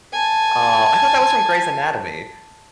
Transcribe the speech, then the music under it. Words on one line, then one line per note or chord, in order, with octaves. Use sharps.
Oh, I thought that was from Grey's Anatomy.
G#5 A5